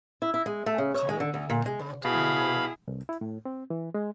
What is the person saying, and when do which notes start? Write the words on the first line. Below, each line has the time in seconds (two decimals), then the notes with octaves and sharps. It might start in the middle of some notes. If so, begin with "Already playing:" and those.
Call me in about an hour.
0.22 E4
0.34 E4
0.46 G#3
0.66 A3
0.78 C#3
0.94 C#5
1.09 G#3
1.20 D3
1.34 D2
1.50 A#2
1.66 G#3
2.05 B2 E4 G#4 F5 B5
2.88 C2
3.09 E4
3.21 A2
3.45 C4
3.70 E3
3.94 G#3